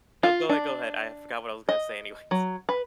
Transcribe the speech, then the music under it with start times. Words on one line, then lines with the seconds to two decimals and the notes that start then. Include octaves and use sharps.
No, go ahead, go ahead. I forgot what I was gonna say anyways.
0.23 F4
0.49 D4
1.69 D#5
2.31 F#3
2.69 B4